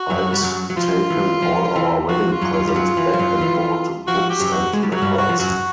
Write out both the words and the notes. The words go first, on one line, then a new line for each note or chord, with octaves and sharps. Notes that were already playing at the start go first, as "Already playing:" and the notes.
I'd taken all our wedding presents back and bought books and records.
Already playing: F#4
F#2 F#3
G3
F#2 F#3
F#3
F3 F4
E3
F3
E3
F3 F#4
F4
F#2 F#3
F4
G3
F#2 F#3
E3
F3
F#2 F#3
E3
F3 F#4
G4
F#2 F#3
F#4
G#3
G3
F#3 F#4
G2 G3
F#4
F3
F#2 F#3 F#4